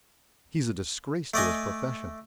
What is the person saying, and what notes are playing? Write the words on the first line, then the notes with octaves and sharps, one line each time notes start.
"He's a disgrace to his profession!"
A3 D5 D#5 G#5